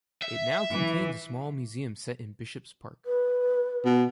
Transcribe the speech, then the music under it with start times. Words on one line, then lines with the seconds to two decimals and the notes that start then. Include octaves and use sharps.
It now contains a small museum set in Bishop's Park.
0.23 E5
0.73 E3
3.06 B4
3.85 B2